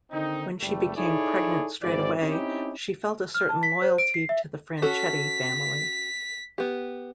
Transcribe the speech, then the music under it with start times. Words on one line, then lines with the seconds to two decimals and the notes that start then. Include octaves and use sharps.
When she became pregnant straightaway, she felt a certain loyalty to the Franchetti Family.
0.11 D3 D#3 C4 D#4
0.60 F#1 F#2 G3 A3
0.96 D#4 E4 G#4 A4 C#5 D5
1.82 G#1 E2 E3 C5 D5
2.21 C4 C#4 D#4 E4 G4
3.35 F6
3.49 A5
3.63 B6
3.82 C5
3.98 D7
4.14 C7
4.29 E5
4.82 C#4 F#4 A4 B6
6.58 B3 G4